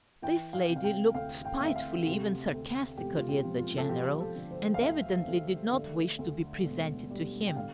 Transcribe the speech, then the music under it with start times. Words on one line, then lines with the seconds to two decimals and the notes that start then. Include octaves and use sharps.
This lady looked spitefully, even sarcastically, at the general, and evidently did not wish to be presented to him.
0.22 E3 G5
0.53 F5
0.68 C3
0.76 F5
0.84 G5
1.15 D2 F5
1.45 G5
1.60 D2 E5
1.76 F5
2.06 C3 G4
2.52 D2
2.98 E1 G4
3.17 F4
3.29 G4
3.44 F3
3.58 F4
3.78 A4
3.89 F3 G4
4.20 A4
4.36 D3
4.51 C5
4.74 F5
4.81 D2 E5
5.27 D2
5.73 D3
6.19 D2
6.65 E1
7.11 G3
7.47 G5
7.56 D3 F5